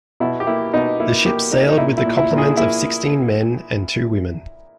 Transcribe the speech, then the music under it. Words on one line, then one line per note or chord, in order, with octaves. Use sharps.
The ship sailed with a complement of sixteen men and two women.
B2 E4
G4
A#3 E4
B2 D#4
A#3 E4
A#3 G4
A#3 D#4
D#4
A#2 E4
E4
A#2
E4
A#2
G#4
A#3 E4